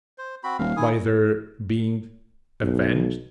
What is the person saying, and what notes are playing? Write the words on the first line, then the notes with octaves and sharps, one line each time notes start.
By their being avenged?
C5
C4 F#4 B5
D#1 F5
D#3 E4 G#5 D#6
B1